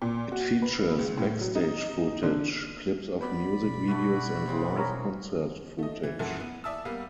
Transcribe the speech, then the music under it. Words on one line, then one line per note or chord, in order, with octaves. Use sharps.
It features backstage footage, clips of music videos and live concert footage.
A#2
F#4
B4
C#2
A2
F#3
D#4
D3
B3 B4 D5 B5
B2
A3 E4 F#4
C#3 G#3 C4
A#4 C#5 A#5
A3 D#5
E3
F#2 A#2 E3 A4 F#5
B3
D5 E5 A5 D#6 E6
G3 A#3 B3 F5